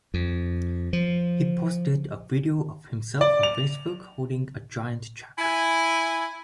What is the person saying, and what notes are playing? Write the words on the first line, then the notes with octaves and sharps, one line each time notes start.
He posted a video of himself on Facebook holding a giant check...
F2
F3
D5
F7
E4 G#5